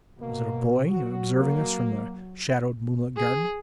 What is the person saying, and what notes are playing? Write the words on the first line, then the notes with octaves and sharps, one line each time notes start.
Was it a boy, observing us from the shadowed moonlit garden?
B2 A#3
F#3 F#4
A#3
G#4